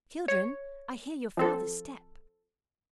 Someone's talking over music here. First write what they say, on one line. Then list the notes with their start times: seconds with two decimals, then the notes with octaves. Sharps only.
'Children, I hear your father's step.
0.28 C#5
1.37 F3 C4 A4